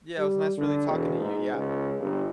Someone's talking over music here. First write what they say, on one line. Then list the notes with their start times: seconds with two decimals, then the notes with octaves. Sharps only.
Yeah, it was nice really talking to you, yeah.
0.18 G3
0.57 D3
0.88 E1
1.20 G#2
1.53 C#2
2.00 G1